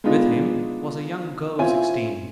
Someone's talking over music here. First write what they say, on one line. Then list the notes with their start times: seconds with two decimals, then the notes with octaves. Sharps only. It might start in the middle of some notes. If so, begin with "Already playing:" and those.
With him was a young girl of sixteen.
0.04 G#3 B3 D4 D#4 F4
1.58 C4 C#4 E4 F4 G#5